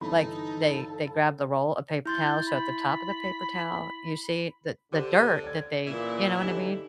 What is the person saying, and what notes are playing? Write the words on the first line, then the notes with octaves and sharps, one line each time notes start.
like, they they grab the roll of paper towels, so at the top of the paper towel, you see the the dirt that they You know what I mean?
G1 E3 D#4 A4 B5
E4 C6 G6 A6
B5
D3 G4 C5
D5 G#6
A#2 C#3 E3 E4
D3 D#4 G4 E7